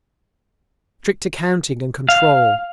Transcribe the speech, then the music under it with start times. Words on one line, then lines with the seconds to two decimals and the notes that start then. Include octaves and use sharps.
Strict accounting and control!
2.09 F5